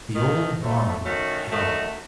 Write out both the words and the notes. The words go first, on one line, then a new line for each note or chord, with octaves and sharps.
The old bond held.
G#2 D#3 A3
G#2 F#3 A3
D#3 A3 C#4 F#4
F#2 D#3 A3 D#4 F#4